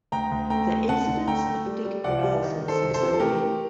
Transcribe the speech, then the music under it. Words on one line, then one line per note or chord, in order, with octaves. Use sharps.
The incidence of tick paralysis is unknown.
D2 G5 A#5
D2
A3 G5 A#5
D2
D2 F#5 A5
D3
A3 G5 A#5
A3
G3
G3
C2 D5 F#5
G3
D#3
D#3
A4 C5
C2
A4 C5
C3
A4
A3 G4 A#4
A3